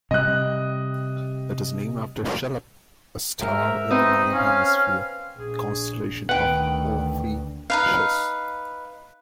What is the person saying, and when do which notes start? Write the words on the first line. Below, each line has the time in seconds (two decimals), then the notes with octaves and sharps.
It is named after Cheleb, a star in the northern hemisphere constellation of Ophiuchus.
0.11 C3 G3 D#5 F#6
3.41 G#2 A#4 E5
3.91 C4 D#4 B4 D#5
4.34 C#4 F5
5.38 A#1 G#4
6.29 D2 D#3 B4 F#5 G5
7.70 D#4 B4 F5